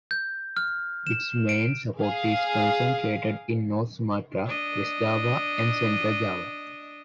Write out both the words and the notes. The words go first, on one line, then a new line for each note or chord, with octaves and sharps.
Its main support is concentrated in North Sumatra, West Java and Central Java.
G6
F6
E7
D7
G#4 F5
D4 D#5